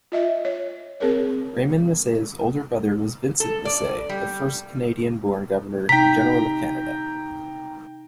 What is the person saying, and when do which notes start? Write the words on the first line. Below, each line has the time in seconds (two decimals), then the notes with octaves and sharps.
Raymond Massey's older brother was Vincent Massey, the first Canadian-born Governor General of Canada.
0.12 F4 D#5 E5
0.45 C#5
1.00 C4 G#4 A#4 C#5
3.40 A4
3.65 D5
4.09 G3
5.89 C3 D#4 G5 A#5 B6